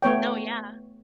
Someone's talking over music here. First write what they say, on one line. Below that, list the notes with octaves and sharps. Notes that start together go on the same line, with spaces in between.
No, yeah.
A3 B3 C#5 G5